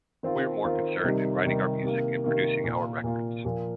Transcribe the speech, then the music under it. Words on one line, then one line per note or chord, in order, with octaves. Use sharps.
We're more concerned in writing our music and producing our records.
D#3 C4 F4
D#3 C4 F4
C3 D#3 G3 D#4
C3 D#3 G3 D#4
C3 D#3 A#3
C3 D#3 A#3
A#2 A#3 F4
A#2 A#3 F4
A#2 F3 A#3